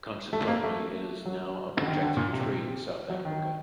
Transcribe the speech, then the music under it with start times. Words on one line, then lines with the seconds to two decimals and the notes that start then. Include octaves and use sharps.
Consequently, it is now a Protected Tree in South Africa.
0.33 A3
0.48 A#3
0.64 A3
1.25 F#3
1.80 D3
1.86 D#3
2.02 D3
2.17 A#2
2.32 C3
3.10 F#3
3.25 D#3